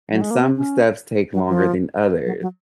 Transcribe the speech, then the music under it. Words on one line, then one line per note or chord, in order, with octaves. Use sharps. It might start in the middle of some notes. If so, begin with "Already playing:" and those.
and some steps take longer than others,
F#3
G#3
A#3
C4
C#4
F#3
F3
F#3
F#3